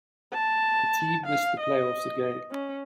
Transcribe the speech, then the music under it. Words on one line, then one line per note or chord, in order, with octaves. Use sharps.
The team missed the playoffs again.
A5
F5
D#5
C#4